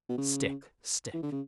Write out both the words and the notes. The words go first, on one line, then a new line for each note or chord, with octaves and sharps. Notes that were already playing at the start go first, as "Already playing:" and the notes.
'Stick, stick!
B2
C#3
E3
D3
C#3